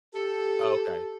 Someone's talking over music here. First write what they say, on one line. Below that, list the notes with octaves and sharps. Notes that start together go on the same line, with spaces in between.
Oh, okay.
G4 A4